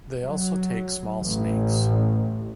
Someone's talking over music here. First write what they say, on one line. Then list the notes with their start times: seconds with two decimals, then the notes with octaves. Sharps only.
They also take small snakes.
0.24 F#3
1.21 A1